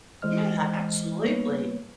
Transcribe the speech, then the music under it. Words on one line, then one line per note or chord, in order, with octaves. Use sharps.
Yeah, absolutely.
E3 G#3 C5 D#5 F6
G3 A#3 B3 B4 C#5